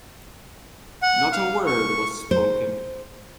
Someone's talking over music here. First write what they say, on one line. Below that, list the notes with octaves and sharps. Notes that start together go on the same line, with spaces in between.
Not a word was spoken.
F#5
F5
C#6
C5